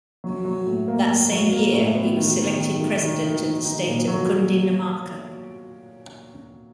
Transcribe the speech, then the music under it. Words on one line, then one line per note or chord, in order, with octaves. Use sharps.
That same year he was selected president of the State of Cundinamarca.
F#3
F#3
A2
A#3
A#3
F#3
A#3
A2
B3
D#3
D#3
D#3
D#3
D#3
D#3
D#3
D#4
A#2
F#3